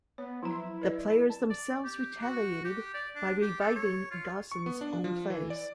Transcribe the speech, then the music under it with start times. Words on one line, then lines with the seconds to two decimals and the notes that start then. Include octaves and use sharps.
The players themselves retaliated by reviving Gosson's own plays.
0.18 B3 C#5
0.42 F3 F#3 E4 A#5
0.81 B4 D5 D#5
1.30 A5
1.50 D5
1.85 G4
2.22 F#4
2.65 G4
2.94 D5
3.16 D4
3.42 G4
3.61 A4
3.76 C#5
4.11 F4
4.52 C#6
4.66 B3
4.81 D4
5.04 F3
5.30 E3
5.50 D5